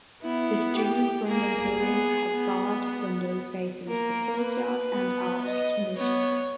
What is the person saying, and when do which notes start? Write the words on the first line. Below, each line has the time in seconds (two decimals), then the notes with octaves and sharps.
The student room interiors have barred windows facing to the courtyard and arched niches.
0.23 B3 E4
0.75 G4
1.28 A#3 G#4
1.79 B3
2.32 B3
3.89 A#3 A#4
4.41 B4
4.93 B3
5.45 D#5
5.98 B3 C#5